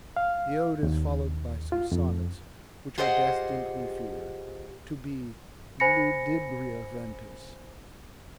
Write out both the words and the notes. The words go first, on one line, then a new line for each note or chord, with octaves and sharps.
The ode is followed by some sonnets which are destined, we fear, to be ludibria ventis.
F5
D#2
F4
F2
F4 G4 G#4 C5 D#5 F#5
C5 G#5 B5 A#6 C#7